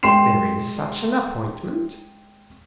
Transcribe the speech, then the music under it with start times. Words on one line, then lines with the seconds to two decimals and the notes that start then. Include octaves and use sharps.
"There is such an appointment."
0.03 G#3 G5 C6 C7 E7